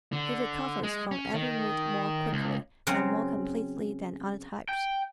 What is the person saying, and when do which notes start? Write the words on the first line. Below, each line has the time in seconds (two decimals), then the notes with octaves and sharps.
He recovers from every mood more quickly and more completely than other types.
0.13 D3
0.83 G#3
1.11 C#4
1.34 D#3
2.33 C#2
2.87 C#3 F#3 C4 F#5 A#5
4.69 G5